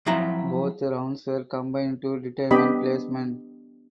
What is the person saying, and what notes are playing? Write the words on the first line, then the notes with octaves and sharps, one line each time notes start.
Both rounds were combined to determine placement.
F3 F#3 C4 E4 A#5
B3 D4 G4 D#5 B5